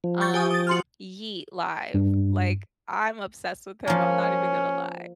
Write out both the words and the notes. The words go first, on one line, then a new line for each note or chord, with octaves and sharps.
um, Yeat live. Like, I'm obsessed with him, I'm not even gonna lie.
F3
C#6 G6 A6
G4 G#5 D#6
D#6 A6
F#4 C6 F6
G2
F3 A#3 C#4